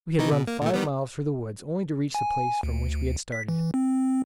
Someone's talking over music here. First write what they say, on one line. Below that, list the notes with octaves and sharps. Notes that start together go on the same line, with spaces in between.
We had run five miles through the woods, only to reach the place from which we had started.
D#3 E3 D#4
B2
A#3
A#2 A3
D#3 G3 B3
G#5
D2
B6
E3
C4